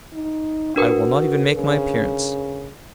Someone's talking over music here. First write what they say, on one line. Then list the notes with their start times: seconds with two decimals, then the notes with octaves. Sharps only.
"I will not even make my appearance."
0.13 D#4
0.76 D4 F#4 A#4 B4
1.56 C#3